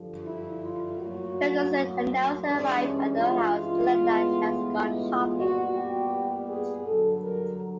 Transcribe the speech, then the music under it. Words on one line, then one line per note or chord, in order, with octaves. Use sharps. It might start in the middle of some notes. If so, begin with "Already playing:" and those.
Ferguson and Nelson arrive at her house to learn that she has gone shopping.
Already playing: G2 D3 F3
E4
F4
A2 F#3 A#3 F#4
G2 E3 G#3 D4
C#4
F4
F4
A2 E3 G#3 B3
F4
A#2 G3 B3 F#4
G4
G#4
G2 D3 F#3 A4
A#4